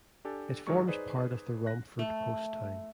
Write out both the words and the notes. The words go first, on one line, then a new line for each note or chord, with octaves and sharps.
It forms part of the Romford post town.
D4 G4 A4 G#5
G#1 D#3 F3 F#3 G#3 C#6
D#4 G#4 B4 C5 D5
F#6 A#6
A3